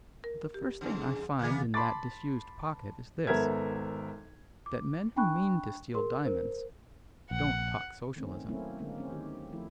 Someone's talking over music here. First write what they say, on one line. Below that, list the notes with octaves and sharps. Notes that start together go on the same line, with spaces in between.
But the first thing I find in that disused pocket is this: that men who mean to steal diamonds don't talk Socialism.
A#4
G4
F2 G#2 D3
D3 E3 A#3 B3 G#4
A5 B5 C6 D6 A6
G#1 B3 A4 A#4 E5 G#6
D6
D4 G5 G#5 B5 C#6 F#6
G#4 A#4 C6
A#4 C5
A#1 F#5
D#3 A3 C4 C#4
F#3 A3 A#3 C4 C#4 E4
D3 G#3 A#3
G#3 C4 C#4
D#3 G4
F3 A3 E4